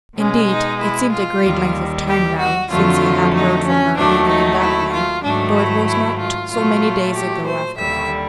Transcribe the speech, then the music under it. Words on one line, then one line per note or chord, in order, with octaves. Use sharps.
Indeed, it seemed a great length of time now since he had heard from her even in that way, though it was not so many days ago, after all.
B2 G#3 C#4
D#4
E4
F4
D#2 D#3 G3
G4
F#4
F2 D3 F#3 A3 F4
D#4
C#4
D#2 D#3 F#3 A3 D4
D#4
E4
F4
G#2 D#3 F#3 A3 D4
E4
E4
F4
A#2 F#3 A3 F4
G4
C5
D#2 D3 G3 E5